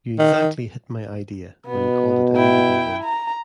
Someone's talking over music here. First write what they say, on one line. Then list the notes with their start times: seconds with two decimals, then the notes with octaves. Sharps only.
You exactly hit my idea, when you called it a readable one.
0.19 D#3
1.66 B2 B3
2.36 E4 G5
3.04 A#5